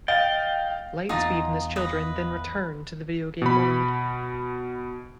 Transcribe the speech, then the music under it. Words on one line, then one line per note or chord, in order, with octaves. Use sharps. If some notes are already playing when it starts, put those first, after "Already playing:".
Lightspeed and his children then return to the video game world.
D#5 F5 G5 A6
E2 D#4 F4 D#5
B4 D#5
B2 B5